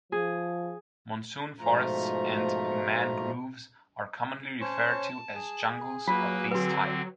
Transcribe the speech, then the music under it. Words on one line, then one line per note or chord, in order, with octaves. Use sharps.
Monsoon forests and mangroves are commonly referred to as jungles of this type.
F3 G#4
G#2 B2 F3 A3 F4 A#5
C#4 C5 C#5 A5
G#4
F#3 A#3 F4 B4
D3 C4 F#4 B4